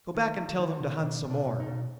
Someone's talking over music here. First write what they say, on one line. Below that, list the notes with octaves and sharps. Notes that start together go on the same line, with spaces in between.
Go back and tell them to hunt some more.
D#3
D#3
D#3
C3
B2 D4
B2
D4
B2
D#4
B2